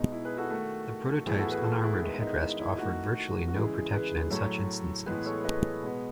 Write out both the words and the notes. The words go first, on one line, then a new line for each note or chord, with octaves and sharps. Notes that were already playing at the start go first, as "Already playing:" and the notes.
The prototype's unarmored headrest offered virtually no protection in such instances.
Already playing: B2 G#3 B3 D#4
E4
G#4 B4
F#4 A4
D#3 A3
A2 E3 B3 E4 G#4
F#4 A4
G#4 B4
F#4 A4
E4 G#4
D#3 G#3 B3 E4
D#4
E4
E4
D#3 A3 D#4 F#4
F#4
C#3 E3 G#3 E4 G#4
G#4 B4
A2 F#3 A3 A4 C#5
A2 E3 G#3 B3 G#4 B4
A4 C#5
B4 D#5
B2 G#3 B3